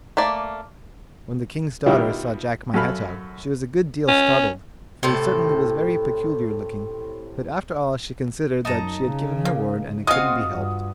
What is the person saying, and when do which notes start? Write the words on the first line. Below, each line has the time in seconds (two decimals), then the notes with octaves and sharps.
When the King's daughter saw Jack my Hedgehog, she was a good deal startled, for he certainly was very peculiar looking; but after all she considered that she had given her word and it couldn't be helped.
0.17 A3 A#3 D5
1.86 B2 D#3 G3 E4 F4 G4
2.74 F#2 F#4 A4 F5 B5
4.08 C#4
5.03 A2 C3 A4
8.65 F#2 D#4 A5 A#5
9.03 C#3
9.45 A#3
10.07 G#3 C4 F4 F#4 F5 D#6
10.49 G2